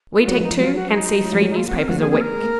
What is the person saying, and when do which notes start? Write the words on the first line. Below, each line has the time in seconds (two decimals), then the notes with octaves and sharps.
We take two and see three newspapers a week.
0.19 F4
0.27 F#3 F#4
0.38 F3
0.43 D#4
0.48 F3
0.60 F#3 F4
0.75 F#4
0.92 D#4
1.23 F#3
1.32 F3
1.41 F#3
1.48 G#3 D#4
1.56 A#3 F4
1.67 F#4
1.72 C4
1.78 A#4
1.88 F3 F#4
1.97 A#3 G#4
2.05 C4
2.11 A#3 G#4
2.21 A#4
2.31 G#3
2.43 A#3